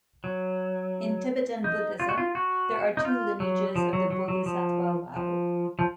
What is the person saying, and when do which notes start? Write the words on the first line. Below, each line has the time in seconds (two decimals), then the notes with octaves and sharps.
In Tibetan Buddhism there are two lineages of the bodhisattva vow.
0.24 F#3
1.64 D#4
2.00 F4
2.09 F#4
2.18 F4
2.35 F#4
2.97 D#4
3.05 F4
3.40 F#3
3.76 F3
3.93 F#3
4.10 F#3
4.28 F#3
4.46 F3
5.16 F3
5.79 F3